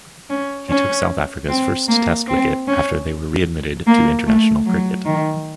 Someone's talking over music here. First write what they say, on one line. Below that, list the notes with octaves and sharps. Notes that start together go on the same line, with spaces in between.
He took South Africa's first Test wicket after they were re-admitted to international cricket.
C#4
C#4
C4
A#3
C4
C#4
A#3
A3
F#3
D#3